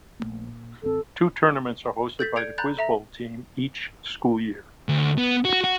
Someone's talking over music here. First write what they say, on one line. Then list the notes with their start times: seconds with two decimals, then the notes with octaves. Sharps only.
Two tournaments are hosted by the Quiz Bowl Team each school year.
0.20 A#1 A3 A#3
0.48 A#2
0.83 A1 A2 C4 A4
2.19 A4 G6 A6 B6
2.36 D5 G6 G#6 C#7 D7 F7
2.58 A#5 B5 F#6 G6 A6
2.77 A4 E5 A#5 A#6
4.89 D2
5.18 B3
5.45 F#4
5.64 F#4